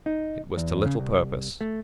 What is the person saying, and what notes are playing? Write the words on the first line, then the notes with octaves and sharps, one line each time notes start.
It was to little purpose.
D#4
E2
C#3
C2
A3